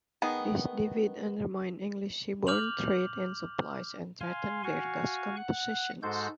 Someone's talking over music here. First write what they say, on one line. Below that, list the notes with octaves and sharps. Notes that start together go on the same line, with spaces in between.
This defeat undermined English seaborne trade and supplies and threatened their Gascon possessions.
D#3 B3 G#4
D6 F6 G6 F7 F#7
F5 G#5 C6
F#4 F5 G#5 C#6
F#5 F#6
G#2 G#3 F#4 A4 C5 G6